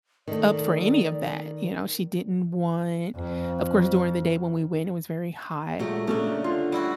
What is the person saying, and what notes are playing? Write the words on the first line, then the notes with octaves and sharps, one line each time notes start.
up for any of that, you know, she didn't want of course during the day when we went, it was very hot,
D#3 A3 D5
F2
A#2 F#3 G#3 A3 G4
C#3 A3 A#3 C#4 D4 A4
D3 F4
G3 E4 F#4